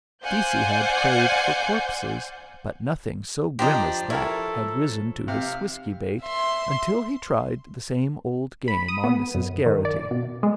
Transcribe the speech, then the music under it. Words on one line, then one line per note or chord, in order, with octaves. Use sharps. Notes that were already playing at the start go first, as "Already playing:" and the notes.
Deasey had craved for corpses, but nothing so grim as that had risen to his whisky-bait until he tried the same old game on Mrs. Geraghty.
C5 D5 F5 F#5 G#5 G6
F3 D4 G4 C5 D5 D#5 A#5
E4 A4 A#4 C#5
C3 F5
E5 C6
B5
D#6
B3
F#2
D#3
D5
B2
G#3